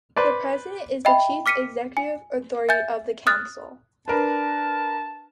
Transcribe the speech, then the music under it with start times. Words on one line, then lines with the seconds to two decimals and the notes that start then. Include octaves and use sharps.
The president is the chief executive Authority of the Council.
0.16 B4 C5 D5
1.05 D#5 E5 G5 B5
1.46 D6 F6 B6 C#7 D#7
1.97 G#5
2.69 E5 G#5 G6 A6
3.27 D#6 F6 F#6 A6
4.08 D4 A#4 B4 A5